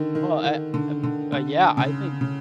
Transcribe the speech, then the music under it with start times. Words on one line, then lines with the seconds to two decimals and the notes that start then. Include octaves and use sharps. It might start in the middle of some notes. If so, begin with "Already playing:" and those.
Well, I I w I yeah, I think
Already playing: D3 D#3
0.15 D#3
0.44 D#3
0.74 D3
1.04 D3
1.32 D3
1.77 C#3
2.21 C#3